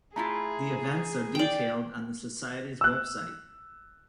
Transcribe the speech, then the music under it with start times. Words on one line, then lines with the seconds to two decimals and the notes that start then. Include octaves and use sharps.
The events are detailed on the society's web site.
0.16 A3 E4 F4 G#4 A#5
1.35 D5 G5
2.81 E6 F#6